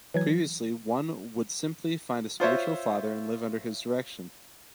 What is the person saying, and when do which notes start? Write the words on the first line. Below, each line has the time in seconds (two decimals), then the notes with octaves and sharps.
Previously, one would simply find a spiritual father and live under his direction.
0.14 E3 F#3 G#6
2.40 F4 C5 C#5 E5